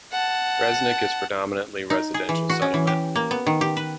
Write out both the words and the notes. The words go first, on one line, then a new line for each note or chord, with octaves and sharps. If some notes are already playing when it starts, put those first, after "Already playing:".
Resnik is predominantly residential settlement.
F#5 A5
D#4
G#4
E3
F#4
C#4
E3
G4
A#3
B3
D#3
G4
B4